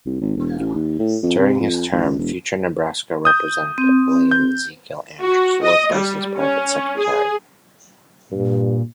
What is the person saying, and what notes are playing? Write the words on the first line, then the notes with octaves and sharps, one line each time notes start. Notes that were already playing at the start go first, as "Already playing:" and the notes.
During his term, future Nebraska representative William Ezekiel Andrews worked as his private secretary.
C2
G#1
E1
A1
D#2
A2
F2
C3
F2
G#1
C#2
E1
D#6 G6
C4
G6
F#4
D#5
G3
C#4
G#4
G2 A#2